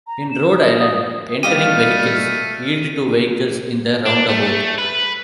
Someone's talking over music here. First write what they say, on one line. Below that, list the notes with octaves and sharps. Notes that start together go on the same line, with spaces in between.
In Rhode Island entering vehicles Yield to vehicles in the roundabout.
A#5
E7
D#6
G3 A3 G4 D#5 F5 F6 D#7
D4
A3
B4